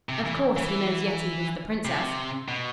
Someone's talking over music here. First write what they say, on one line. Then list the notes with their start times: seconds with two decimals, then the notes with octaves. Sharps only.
Of course, he knows Yetive is the princess.
0.09 C3
0.25 E3
0.57 E3
1.85 C3
2.48 B2